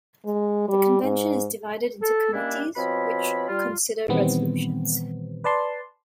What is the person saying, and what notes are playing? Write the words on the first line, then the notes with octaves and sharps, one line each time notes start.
The convention is divided into committees which consider resolutions.
G#3
G3
G#2
A4
D#3 G3 A#3 C#4 D4 E4
B2 F3 C4 C#5 B5
G3 F4
A#2 D#3 E3 G3 B3 C4
B4 D5 A5 C6